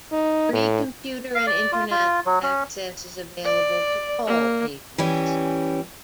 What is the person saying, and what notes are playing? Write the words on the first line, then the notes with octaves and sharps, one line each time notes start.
Free computer and internet access is available to all patrons.
D#4
A2
F5
D5
F4
F4
F#3
C#4
D5
A#3
E3 G3 C#4